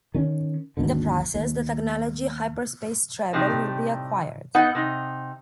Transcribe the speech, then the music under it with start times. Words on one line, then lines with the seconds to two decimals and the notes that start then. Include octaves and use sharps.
In the process the technology "Hyperspace travel" will be acquired.
0.14 D#3 C#4
0.77 G#1 D#2 G#2 D3
1.34 D#2
3.33 A2 C3 G3 D#4 G4
4.55 B3 D#4 F#5
4.75 C3 D#4